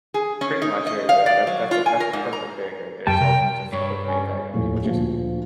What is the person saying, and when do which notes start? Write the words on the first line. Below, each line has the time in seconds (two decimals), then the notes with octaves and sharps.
Pretty much, there you go, that that's that's a that's the perfect thing right there, it's all just clickbait that, you know, people just
0.14 G#4
0.41 C#4
0.62 D#4
0.87 D#5
1.09 F5
1.26 D5
1.47 F#3
1.71 F4
1.86 G#5
2.00 A#4
2.13 G#2
2.33 A#5
3.07 F#2 G3 G5 A5
3.21 C3 A#4
3.73 G2 C#5
4.07 C#4
4.53 D#1 F2 A2 A#3
4.84 D2 A#2 F3